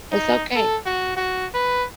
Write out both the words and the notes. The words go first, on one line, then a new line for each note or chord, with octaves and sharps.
It's okay.
D#4
A4
F#4
F#4
B4